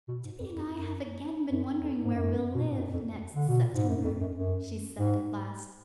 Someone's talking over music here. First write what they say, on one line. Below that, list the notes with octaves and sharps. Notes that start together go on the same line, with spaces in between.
"Tibby and I have again been wondering where we'll live next September," she said at last.
B2
G#2
F2
F2
F#2
F#2
F2
G#2
F#2
B2
A#2
G#2
F#2
F2
D3
B2
A#2
G#2
F#2
F2
F#2
F#2
G#2